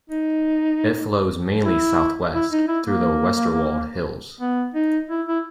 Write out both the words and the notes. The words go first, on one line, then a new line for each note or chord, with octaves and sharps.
It flows mainly south-west, through the Westerwald hills.
D#4
E4
E4
D#4
E4
A#3
B3
D#4
E4
E4